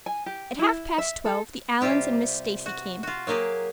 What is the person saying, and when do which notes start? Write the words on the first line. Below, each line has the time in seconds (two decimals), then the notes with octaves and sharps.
At half past twelve the Allans and Miss Stacy came.
0.06 G#5
0.26 G4
0.59 E4
0.98 E5
1.25 A4
1.81 C3 G3 F4 G4 G5
2.66 F#4
3.03 F4 F#4
3.27 F#3 A#3 G4 G#4